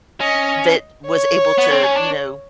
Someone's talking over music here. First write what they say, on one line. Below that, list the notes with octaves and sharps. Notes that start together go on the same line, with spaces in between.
that was able to, you know,
C#4 D#5
C#5
B3
C4
C#4
D4